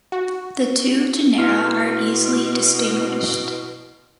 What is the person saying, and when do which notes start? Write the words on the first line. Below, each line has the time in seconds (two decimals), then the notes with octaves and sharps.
The two genera are easily distinguished.
0.12 F#4
1.38 B2 E4 C6 F6